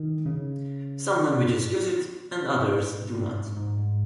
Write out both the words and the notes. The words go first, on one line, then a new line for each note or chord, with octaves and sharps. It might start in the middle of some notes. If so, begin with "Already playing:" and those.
Some languages use it and others do not.
Already playing: D#3
C#3
G#2
G#2